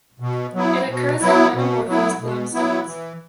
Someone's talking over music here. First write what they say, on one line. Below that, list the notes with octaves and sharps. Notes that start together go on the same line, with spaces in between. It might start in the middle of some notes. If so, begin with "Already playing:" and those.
It occurs in metamorphosed limestones.
B2
F#3 B3 E4
B2
F#3 B3 E4
B2
F#3 B3 E4
B2
F#3 B3 E4
E3